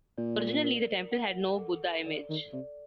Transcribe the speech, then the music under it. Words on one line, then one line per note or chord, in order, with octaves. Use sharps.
Originally the temple had no Buddha image.
A#2 D5
A#4
F#5
A4
D#3 D5
D#3
C3 D5